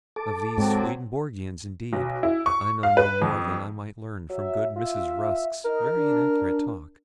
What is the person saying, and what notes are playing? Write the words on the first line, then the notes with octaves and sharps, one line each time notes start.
Of these Swedenborgians, indeed, I know no more than I might learn from good Mrs. Rusk's very inaccurate talk.
A4 A5 D6
G#2 F#3 C4
B1
E4
C#6
F5
B4
F2
F#3 E5
F4 E5
D#4 A#4
D4